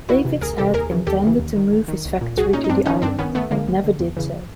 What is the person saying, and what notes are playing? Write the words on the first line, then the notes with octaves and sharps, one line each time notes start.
Davids had intended to move his factory to the island but never did so.
D2 E4 F#4
C3 E3
D2 G#4 A#4
C3 E3 G4 A4
D#2 G#4 A#4
C#3 E3
D#2 G4 A4
C#3 E3
D#2
D#3
D#2
D#3
C2
A#2
C2 F#4 G#4
A#2 C#4 D#4
D#4
G2 C4 D4
D#3 C#4 D#4
G2 C4 D4
D#3 B3 C#4
D#2 A3 B3
D3 G#3 A#3
D#2
D3
E2
C#3 E3